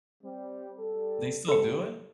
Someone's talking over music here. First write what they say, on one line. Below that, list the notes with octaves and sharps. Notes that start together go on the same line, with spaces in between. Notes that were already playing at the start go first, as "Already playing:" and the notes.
they still do it?
G3 C4
G3 A4
G#3 F#4 G4 A4 C#7